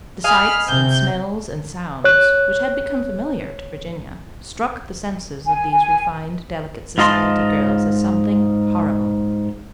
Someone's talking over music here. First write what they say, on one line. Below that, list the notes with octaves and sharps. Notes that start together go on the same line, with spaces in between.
The sights and smells and sounds which had become familiar to Virginia struck the senses of these refined, delicate society girls as something horrible.
D#5 F5 G#5 B5 F6
C3 G6
C#5 F#6
G#5
G#5
G#2 F4 D#5 A5 C6